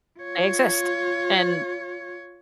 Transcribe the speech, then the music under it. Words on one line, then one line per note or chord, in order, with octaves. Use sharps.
they exist, and
F4 C#5